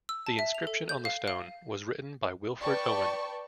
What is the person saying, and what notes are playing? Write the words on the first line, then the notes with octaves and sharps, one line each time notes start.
The inscription on the stone was written by Wilfred Owen.
E6
A5
E5
F7
A4
G6
F5
F5
B4 D5 G5 A5 C#6